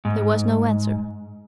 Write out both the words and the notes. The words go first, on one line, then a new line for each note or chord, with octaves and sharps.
There was no answer.
G#2